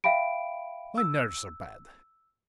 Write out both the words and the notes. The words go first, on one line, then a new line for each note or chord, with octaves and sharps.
My nerves are bad.
E5 F5 G5 B5 D7
E6